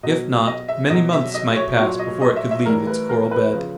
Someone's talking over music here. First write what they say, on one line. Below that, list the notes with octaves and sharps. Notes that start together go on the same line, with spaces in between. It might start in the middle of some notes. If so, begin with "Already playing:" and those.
If not, many months might pass before it could leave its coral bed.
B2 F#3 D#5
D#5
E5
B2 F#3 D#5
E5
D#5
C#5
A#2 F#3 C#5
D#5
D#5
E5
E5
A2 E3 G3 A#4
B4
A#4
B4
C#3 F3